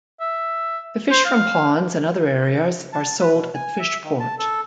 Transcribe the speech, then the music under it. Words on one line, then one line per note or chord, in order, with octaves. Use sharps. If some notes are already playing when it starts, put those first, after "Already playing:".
The fish from ponds and other areas are sold at the Fish Port.
E5
C5
F5
A5
B4
B2
G#5
E5
D#3
A5
A4